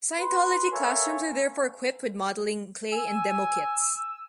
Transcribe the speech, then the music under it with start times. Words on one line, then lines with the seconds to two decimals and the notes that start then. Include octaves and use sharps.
Scientology classrooms are therefore equipped with modelling clay and demo kits.
0.19 B4 C6
0.73 A4 A#4 C#5 E5 F5 G#5
2.92 G#5 E6